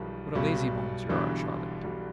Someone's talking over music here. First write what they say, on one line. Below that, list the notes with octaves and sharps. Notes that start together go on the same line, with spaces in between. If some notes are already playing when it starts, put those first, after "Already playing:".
What a lazybones yer are, Charlotte.'
Already playing: B1 B2 D#3 F3 G3
B1 B2 G3
B1 B2 D3 E3 G3
B1 B2 G3